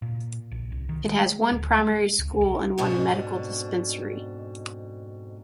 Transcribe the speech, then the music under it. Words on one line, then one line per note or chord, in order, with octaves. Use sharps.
It has one primary school and one medical dispensary.
A#2
A#1
C2
D#3
G#3
G#3
D1
G#3
C#2
B1
F2 G#2 B2 D4